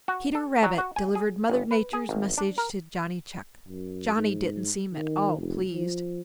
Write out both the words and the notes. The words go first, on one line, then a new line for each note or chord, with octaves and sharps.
Peter Rabbit delivered Mother Nature's message to Johnny Chuck. Johnny didn't seem at all pleased.
F#4
A4
F#3
F#4
G#5
G#4
G1
B4
G#4
G#1
D4
A#4
F#2
G#2
D#3
F1
F3